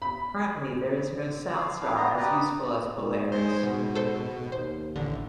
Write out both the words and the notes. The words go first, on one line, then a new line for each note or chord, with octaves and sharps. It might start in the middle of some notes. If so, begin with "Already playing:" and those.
Currently, there is no South Star as useful as Polaris.
B5
F5
D4 E4 F5
B3 A#5
G4 B4 D5 D#5 A#5
G#2
G#3 C5
B2
A4 C5
D#2 C5
A1 D3